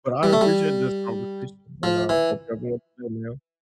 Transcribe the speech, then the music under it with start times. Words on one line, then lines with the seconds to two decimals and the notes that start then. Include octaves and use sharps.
But I appreciate this conversation, and I hope you have a wonderful day, man.
0.23 G3
0.33 A3
0.41 G3
1.83 F3
2.09 E3